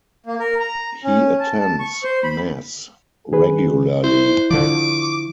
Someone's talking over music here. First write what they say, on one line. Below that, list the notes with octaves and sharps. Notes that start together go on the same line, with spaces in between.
He attends Mass regularly.
A#3
A#4
A#5
C#4
A5
A5
C#6
C5
B5
D#3 G#4 B4
E4 C5
D3 F3 D6